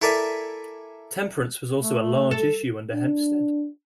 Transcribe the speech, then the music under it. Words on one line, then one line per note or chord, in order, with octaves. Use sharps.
Temperance was also a large issue under Hempstead.
E4 A4 A#4 D5 E5 G#5
A3
A4
D4